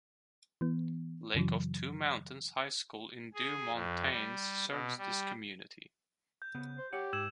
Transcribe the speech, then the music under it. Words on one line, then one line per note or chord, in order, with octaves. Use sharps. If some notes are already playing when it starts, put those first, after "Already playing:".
Lake of Two Mountains High School in Deux-Montagnes serves this community.
E3 B3
F#2 C#3 E3 F#3
G#4
F2
G3
B2
G3
G6
C#3 B3
C5
G4 C#5 F#5
G#2 E6 G#6 E7